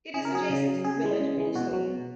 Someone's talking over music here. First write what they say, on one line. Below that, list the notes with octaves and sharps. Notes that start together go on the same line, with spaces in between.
It is adjacent to the village of Kewstoke.
C#3 G#4
A#4
F#3 G#4
C#3
F#3
C#3 G#4
E3 G#3
C#3
E3 G#3
B2 F#4
F#3
B2